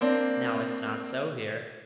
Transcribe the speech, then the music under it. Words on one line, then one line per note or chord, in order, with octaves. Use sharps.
Now, it's not so here.
A#3 C4 D4